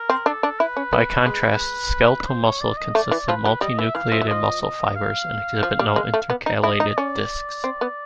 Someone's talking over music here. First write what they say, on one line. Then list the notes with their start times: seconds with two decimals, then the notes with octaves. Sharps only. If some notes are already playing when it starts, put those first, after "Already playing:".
By contrast, skeletal muscle consists of multinucleated muscle fibers and exhibit no intercalated discs.
Already playing: A#4
0.10 C4
0.26 D4 A4
0.43 D4
0.60 E4 B4
0.77 C#4
0.93 B3
1.26 G#3
2.27 C5
2.44 C#5
2.61 D5
2.77 D#5
2.95 A3 D5
3.11 E3
3.28 F3 B4
3.45 F#3
3.61 G3 D#5
3.79 E3 E5
3.95 E3 F5
4.12 F3 E5
4.21 F#3
4.28 F3 D#5
4.62 D#5
4.96 F5
5.63 F3
5.79 G3
5.96 G#3
6.14 A3
6.30 B3
6.46 D#4
6.63 E4 D#5
6.80 D#4
6.97 C#4 D5
7.64 C4
7.81 B3